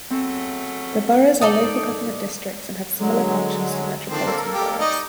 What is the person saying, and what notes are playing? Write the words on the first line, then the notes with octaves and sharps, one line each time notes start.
The boroughs are local government districts and have similar functions to metropolitan boroughs.
C#3 F#3 A3 C4
D#4 A4 D5
D3 F#3 G#3
D3 D#3 F3 C4 D4
A#3 A4 A#4
G4
D#4 D5 D#5